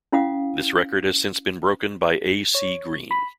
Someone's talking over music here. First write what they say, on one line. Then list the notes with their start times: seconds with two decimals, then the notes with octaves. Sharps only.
This record has since been broken by A. C. Green.
0.12 C#4 E4 F5 F#5 D#6
2.55 C#5
3.11 B5